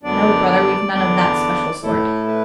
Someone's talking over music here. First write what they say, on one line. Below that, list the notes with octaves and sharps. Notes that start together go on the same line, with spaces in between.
"No, brother, we've none of that special sort."
F#2 D3 F#3 B3 D4 D5
D5
E2 D3 B3 D4 D5
A2 A3 E4 A4
B4